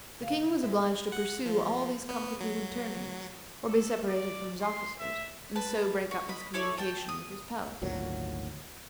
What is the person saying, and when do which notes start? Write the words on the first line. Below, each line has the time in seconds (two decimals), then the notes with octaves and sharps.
The King was obliged to pursue all these complicated turnings, or be separated from his officers, and so break up his communication with his palace.
0.20 C#3 F5
0.62 G#2 G#3 E5
1.12 F#5
1.46 F3
2.09 B3
2.41 F#3
3.68 A4
4.07 D5
4.61 C6
5.00 E5
5.56 B4 A5
6.11 F#4
6.29 D#5 B5
6.54 E4 A4 C#5 D5
6.78 G5 A5
7.09 D#6
7.82 G#1 D2 A#2 F#3